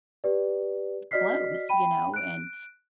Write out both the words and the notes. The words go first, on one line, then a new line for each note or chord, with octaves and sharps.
close, you know, and,
G4 B4 D5
F#4 D5 D#5 F6 B6 C7
G5 B5 D#7
F#6 D7